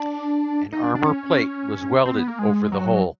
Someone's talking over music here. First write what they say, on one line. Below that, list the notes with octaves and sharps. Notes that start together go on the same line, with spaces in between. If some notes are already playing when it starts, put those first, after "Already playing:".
An armour plate was welded over the hole.
Already playing: D4
D#4
D4
D4
C#4
C4
B3
A#3
G#3
F#3